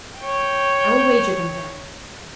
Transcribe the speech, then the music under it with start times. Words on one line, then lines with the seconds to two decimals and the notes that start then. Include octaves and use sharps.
"I will wager them, then."
0.20 C#5 G5